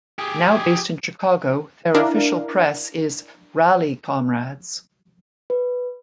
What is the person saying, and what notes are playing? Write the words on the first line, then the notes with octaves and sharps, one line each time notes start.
Now based in Chicago, their official press is Rally, Comrades!
G4 G#4
D4 E4 A#4 F5
B4